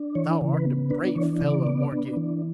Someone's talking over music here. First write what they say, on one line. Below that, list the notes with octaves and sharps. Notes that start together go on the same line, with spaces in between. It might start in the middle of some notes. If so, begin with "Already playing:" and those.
Thou art a brave fellow, mordioux!
Already playing: D4
E3 C#5
C#3
B4
B3
D4 B4
E3 C#5
C#3 D5
B3
D4
E3